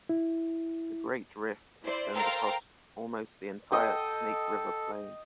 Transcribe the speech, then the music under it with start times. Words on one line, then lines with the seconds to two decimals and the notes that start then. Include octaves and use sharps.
The Great Rift extends across almost the entire Snake River Plain.
0.09 E4
1.82 E4 C5 D5
2.14 A4 A#4 C5 F5 G5 A#5
3.72 A4 D#5 G5